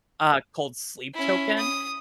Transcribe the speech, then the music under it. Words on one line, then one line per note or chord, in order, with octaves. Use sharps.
uh, called Sleep Token.
C#4 E4
D#6